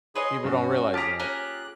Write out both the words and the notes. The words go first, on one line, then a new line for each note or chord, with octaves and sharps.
People don't realize that.
G#4 B4 C#5 D#5 C6
G2 C#4 F#4
F4 G4 G#4 A5 A#5
A#3 C#4 A#4 F#6